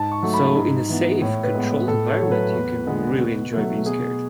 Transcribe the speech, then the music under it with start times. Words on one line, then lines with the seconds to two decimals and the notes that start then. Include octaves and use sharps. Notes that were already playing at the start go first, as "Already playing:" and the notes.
So in a safe, controlled environment, you can really enjoy being scared.
Already playing: G#2 A5
0.12 C#6
0.23 F#3 A3
0.34 B5
0.56 G#2
0.89 E3 B3
1.22 A2 C#5
1.44 B4
1.54 G#3 B3
1.88 A2 A4
2.09 C#5
2.21 F#3 A3
2.32 B4
2.53 E2
2.87 D3 G#3 B3
3.19 B2
3.53 F#3 A3
3.86 B2 G#4